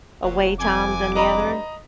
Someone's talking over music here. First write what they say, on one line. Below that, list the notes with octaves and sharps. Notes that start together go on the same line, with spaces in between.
away time than the other?
F1 A#2 F#3
F2 C4 G#5 D6
G2 D#5 A#5 B5